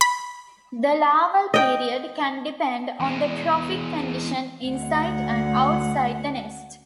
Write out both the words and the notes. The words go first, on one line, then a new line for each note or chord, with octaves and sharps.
The larval period can depend on the trophic condition inside and outside the nest.
B5
D#5 G5
E2 G#3
D2 F#5